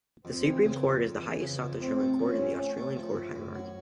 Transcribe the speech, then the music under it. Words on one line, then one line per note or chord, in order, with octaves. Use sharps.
The Supreme Court is the highest South Australian court in the Australian court hierarchy.
F2 C4
E3
C#3
F2
F2
E3
C#3
F2
A2 C4
A3
F3 C#4
A2
A2
A3
F3
A2
F#2
F#3